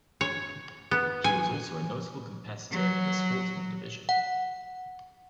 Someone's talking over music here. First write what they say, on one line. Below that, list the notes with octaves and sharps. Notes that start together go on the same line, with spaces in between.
He was also a notable competitor in the Sportsman Division.
C#5
B3
G#5
F#3
F#5